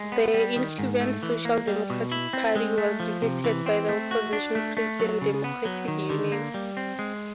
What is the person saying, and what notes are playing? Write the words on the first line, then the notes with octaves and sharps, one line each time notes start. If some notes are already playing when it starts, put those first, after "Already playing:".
The incumbent Social Democratic Party was defeated by the opposition Christian Democratic Union.
Already playing: G#3
B3
G3
D#3
G#2
A3
E3
A#3
G3
B2
E4
C4
G#3
A3
F3
C3
E3
C4
A3
F#4
D4
A3
A3
F#3
C#3
B3
F#3
D#3
D3
A#3
G3
C4
G#3